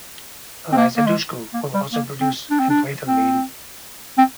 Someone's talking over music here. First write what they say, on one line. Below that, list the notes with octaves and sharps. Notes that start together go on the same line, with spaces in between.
Eliza Dushku will also produce and play the Lady.
C4
A#3
A#3
G#3
A#3
G3
A#3
C4
D4
C4
D4
C4
C4